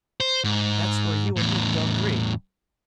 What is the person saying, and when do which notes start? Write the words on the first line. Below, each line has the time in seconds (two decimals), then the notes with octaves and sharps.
That's where you and me don't agree!
0.20 C5
0.44 G#2
1.36 E2 A2